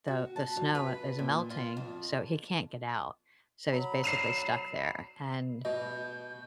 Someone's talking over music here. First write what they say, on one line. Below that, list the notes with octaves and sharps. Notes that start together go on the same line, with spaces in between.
the the snow is melting, so he can't get out, so he's basically stuck there. And
F#4
A5
F#3
B4
A#2
F4
F2
F#3 B5
C7 E7 F7
B2 D#5 G6